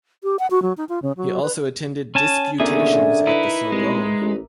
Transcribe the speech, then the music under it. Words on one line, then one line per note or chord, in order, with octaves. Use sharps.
He also attended "disputations" at the Sorbonne.
G4
F#5
F#4
F#3
D#4
F4
C#3
F#3
B4
C#4 G#5 A5
D#2 B2 D3 C#4 G#4 A#4 D5 E5
D#4 E4 B4
C2 G#3
A1